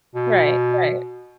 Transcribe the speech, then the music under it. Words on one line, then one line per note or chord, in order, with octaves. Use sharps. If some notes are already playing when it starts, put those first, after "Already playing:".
Right, right.
B2